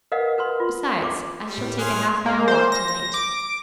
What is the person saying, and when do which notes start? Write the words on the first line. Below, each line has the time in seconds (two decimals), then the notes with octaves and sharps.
Besides, I shall take a half-mile walk to-night.'
0.12 A#4 B4 D#5 F5 F#5
0.38 A#4 B4 C6
0.60 F4
1.03 D6
1.46 G3
1.58 A2
1.78 C#4 G#4 F5 C6 F#6
2.26 A#3
2.48 C5
2.72 A#6
2.88 A#6
3.14 D6